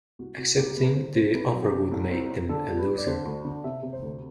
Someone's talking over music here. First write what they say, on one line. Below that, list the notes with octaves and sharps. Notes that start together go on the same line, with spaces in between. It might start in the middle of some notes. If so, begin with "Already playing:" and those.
Accepting the offer would make them a loser.
C2 F#4
C3 F#4
C2 G4
C2 B4
C2 C5
C2 C5
C2 B4
F#3
G4
C3
C2 A4
C4
C4
D3 A4
G3
B4
G3
D5
D3 C5
D2
D3
C3 E5
C3
C5
D2